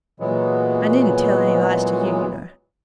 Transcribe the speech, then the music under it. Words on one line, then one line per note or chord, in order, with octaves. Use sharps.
I needn't tell any lies to you, you know.
A#2 E3 F#3 G#3 B3